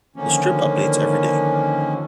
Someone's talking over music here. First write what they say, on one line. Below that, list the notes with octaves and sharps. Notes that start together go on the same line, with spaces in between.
The strip updates every day.
D3 D#3 F3 A#3 C#4